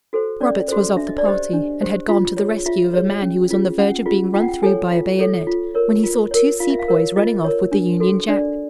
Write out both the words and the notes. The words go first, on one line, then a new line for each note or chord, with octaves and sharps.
Roberts was of the party and had gone to the rescue of a man who was on the verge of being run through by a bayonet, when he saw two sepoys running off with the Union Jack.
F#4 A4 C5
C#4 D5
F#4 A4 C5
D4 E5
D#5
D5
G4 C5 D#5
D4
G4 C5
F4
G#4 C#5
F4 E5
G#4 C#5
C#4
F4 G#4
C#4 F#5
F4 G#4
F4 G5
F#5
G5
A4 C#5 G#5
F4
A4 C#5
F4
A#4 C#5
F4
A#4 C#5
F4 F5
E5
F5
A#4 C#5
F4 D#5
A#4 C#5
D4
F#4 A4
D4 D5